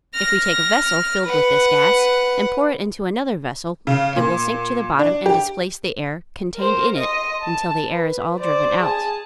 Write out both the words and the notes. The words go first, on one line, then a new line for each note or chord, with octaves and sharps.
If we take a vessel filled with this gas and pour it into another vessel it will sink to the bottom and displace the air contained in it until the air is all driven out.
F6 A#6
B4 F#5
C#3
A#2
D4
G4
A#4 C5
D#5 C6
A5
B4
C5 D5
G#4 A5